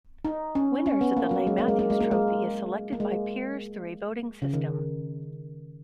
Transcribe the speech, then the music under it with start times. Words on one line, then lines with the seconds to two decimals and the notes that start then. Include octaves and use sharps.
Winners of the Leigh Matthews trophy is selected by peers through a voting system.
0.25 D#4
0.55 C#4
0.86 C#4
1.01 B3
1.17 A#3
1.31 F#3
1.47 G#3
1.58 A#3
1.68 G#3
1.79 A#3
1.90 G#3
2.00 A#3
2.11 G#3
2.93 A#3
3.00 G#3
4.42 C#3
4.53 D#3